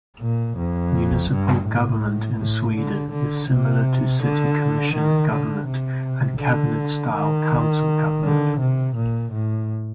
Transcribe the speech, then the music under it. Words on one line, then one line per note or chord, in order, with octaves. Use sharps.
Municipal government in Sweden is similar to city commission government and cabinet-style council government.
A#2
F2
G2
A2
A2
D3
D3
C3
D3
D#3
D3
C3
D3
D#3
D3
C3
A#2
A2